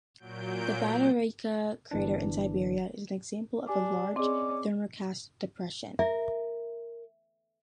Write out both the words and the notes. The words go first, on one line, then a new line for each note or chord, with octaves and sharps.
The Batagaika crater in Siberia is an example of a large thermokarst depression.
A#2 F#3 G6 D7
G1 E3 D4
D4 G4 G#5 D6
C4 C#4 G#4 D5 D#5 D6
A#4 E5